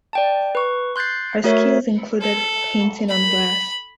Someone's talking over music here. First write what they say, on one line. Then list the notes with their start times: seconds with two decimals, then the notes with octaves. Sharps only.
Her skills included painting on glass.
0.13 D5 G5 A5
0.55 B4 C#6
0.96 C6 F#6 G6 A6 C7
1.44 A3 F#4 A#4 C#5 E5
2.20 A4
3.08 B5